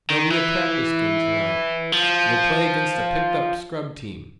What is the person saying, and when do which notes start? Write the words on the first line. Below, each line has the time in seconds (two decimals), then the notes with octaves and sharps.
There'll be a practice game to-night; we'll play against a picked up scrub team.
0.10 D#3
0.31 E3
1.92 F3